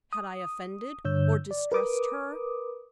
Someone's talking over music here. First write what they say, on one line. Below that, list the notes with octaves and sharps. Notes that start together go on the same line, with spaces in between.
Had I offended or distressed her?
D#6
G2 D3 C#5 E6 G6
D5
A#4 B4 D6 D#6